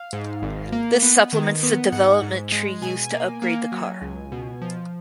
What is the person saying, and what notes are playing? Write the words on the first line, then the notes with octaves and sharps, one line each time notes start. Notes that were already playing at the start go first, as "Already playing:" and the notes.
This supplements the development tree used to upgrade the car.
Already playing: F5
G#2
G#1
A#3
B3
D#3
B3
G#2 F#5
G#2
G#3
B2 G#5
A#3
A#3
F#3
C#2
B2
F3